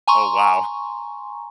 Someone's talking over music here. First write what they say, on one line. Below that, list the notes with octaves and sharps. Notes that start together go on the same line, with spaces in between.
Oh, wow.
G#5 A#5 C6 C#6